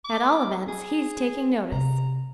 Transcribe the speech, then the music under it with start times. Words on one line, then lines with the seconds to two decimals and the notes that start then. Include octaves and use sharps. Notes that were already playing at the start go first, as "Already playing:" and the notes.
"At all events, he's taking notice."
0.05 D6
0.68 G#4
1.72 C3 A#5